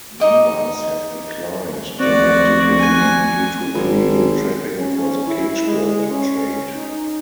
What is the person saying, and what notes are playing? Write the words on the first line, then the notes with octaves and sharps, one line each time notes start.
Numbers have declined dramatically due to illegal trapping for the cage-bird trade.
D#4 D#5 D6
D2 F3 C4 F#4 D5
G#5
G#1
C#4
E4
G#3
C#4
D#4